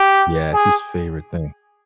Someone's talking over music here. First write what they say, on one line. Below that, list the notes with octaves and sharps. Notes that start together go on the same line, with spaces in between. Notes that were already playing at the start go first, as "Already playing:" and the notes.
Yeah, it's his favorite thing.
Already playing: G4
G#4